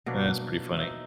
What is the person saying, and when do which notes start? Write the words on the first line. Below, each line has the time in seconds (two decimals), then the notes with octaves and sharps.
That's pretty funny.
0.06 B2 F#3 A#3 D4
0.76 D#4 E5